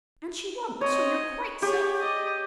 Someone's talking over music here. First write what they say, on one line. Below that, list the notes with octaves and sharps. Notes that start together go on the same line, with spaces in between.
'And she won't, so you're quite safe.'
C4 C#5 D#5
G4 G#4 C#5
D5 D#5